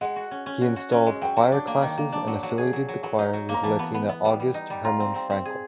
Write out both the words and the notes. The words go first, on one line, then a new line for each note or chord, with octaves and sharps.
He installed choir classes and affiliated the choir with Latina August Hermann Francke.
G#3 F#5
F#4
C#4
C#4
F#4
F#4
C#4
G#3
F#3 G5
F#3
D4
A#3
D#3
A#3
D4
F#3
F#3
G#4
F#3
F#3
F#3
D#4
F#3
A#3
A#5
E3 A5
B3
B3
B3
G3
G3
D#4
G3
F4 A#5
C4
C4
C4
G#4